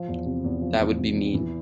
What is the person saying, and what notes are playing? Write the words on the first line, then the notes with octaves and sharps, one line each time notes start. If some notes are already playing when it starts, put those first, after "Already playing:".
That would be mean.
Already playing: F3
E2
C3
E2
F3
E2
C3
E2
E3